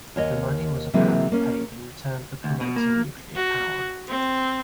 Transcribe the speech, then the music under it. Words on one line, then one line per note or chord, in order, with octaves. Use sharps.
The money was apparently paid in return for promoting nuclear power.
D#2 C#5 D#5
C3 E3 F#3 G#3 A#3 C4
A#3 C#4
D2
B2
A#3
F#4
C4